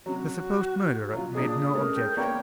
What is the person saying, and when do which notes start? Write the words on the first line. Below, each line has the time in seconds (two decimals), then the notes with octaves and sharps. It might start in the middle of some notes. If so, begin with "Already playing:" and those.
The supposed murderer made no objection.
0.06 C3 F#3 F#4
1.13 F#3 F4
1.35 A#2 D4 G#4 D#5
1.74 G#3 A3 C#4 A#4
1.96 G5
2.17 A#3 B3 C#5 D5 G5